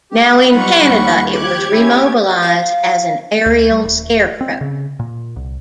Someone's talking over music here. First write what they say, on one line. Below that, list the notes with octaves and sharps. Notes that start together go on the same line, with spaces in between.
Now in Canada it was remobilized as an aerial scarecrow.
G4
F#3 G3 D#4 F4 F#5 B5 C#6 C#7
D#2
G4 D6 F#6 G#6
C#4 E4
F5
D2
G3
D#1
C4
C#3
A#2
C2